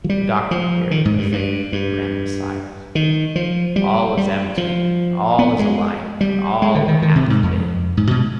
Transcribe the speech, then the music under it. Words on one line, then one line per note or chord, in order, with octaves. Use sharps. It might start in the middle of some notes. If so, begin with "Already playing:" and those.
A doctrine appeared, a faith ran beside it: 'All is empty, all is alike, all hath been!'
F3
G3
F3
D#3
G#2
G2
G2
G2
D#3
F3
G3
G3
F3
B3
G#3
G3
G#3
D3
D#3
D#3
C3
G#2
F2
G#2
B2